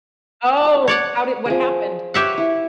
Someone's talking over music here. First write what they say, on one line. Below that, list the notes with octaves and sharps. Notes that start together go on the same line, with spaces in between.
Oh, how did what happened?
C#5 D5 F#5
F3 G#4
G4 B4 C#5 E5 F#5 B5
E4